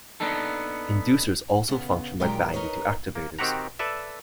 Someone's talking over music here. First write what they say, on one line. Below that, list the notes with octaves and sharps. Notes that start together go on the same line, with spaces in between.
Inducers also function by binding to activators.
A#3 B3 D4 D#4 A4
C#3 B3
A#2 D#3 F#3 G#3 G4 A#4
D#4 A#4 B4 C#5 D#5
A#3
D#3 C4 F#4 G4 F#5 A#5
A4 B4 D5 E5